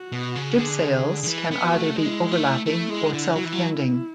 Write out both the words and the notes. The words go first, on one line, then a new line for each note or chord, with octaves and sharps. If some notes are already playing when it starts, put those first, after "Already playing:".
Jib sails can either be overlapping or self-tending.
Already playing: F#4
B2
C#3
D3 G#4
D3
E3
B3
F#4
A3
G#3 E4
A3
A3 E4
G#3
D3
F#3
E3
F#3